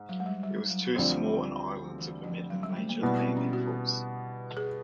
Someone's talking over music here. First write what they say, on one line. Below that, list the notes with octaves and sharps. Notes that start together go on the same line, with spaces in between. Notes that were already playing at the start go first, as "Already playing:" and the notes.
It was too small an island to permit a major landing force.
Already playing: G#2
F#3
G#3
G3
G3
F#3
D2 D3 F3 G3 C4 F4
E3
F3
F#3
G3
A3
A#3
B2 G3 B3 E4
C4
C#4
F#4
G#4